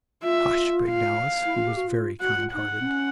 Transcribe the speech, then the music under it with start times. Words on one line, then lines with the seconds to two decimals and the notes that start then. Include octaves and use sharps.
"Hush!" begged Alice, who was very kind-hearted.
0.23 F4 E5
0.89 F5
1.45 E4
1.55 F4
1.67 G4
1.76 F#4
1.87 F4
2.20 F#4 F#5
2.36 F4
2.53 D#4 F#5
2.80 C4
2.85 C#4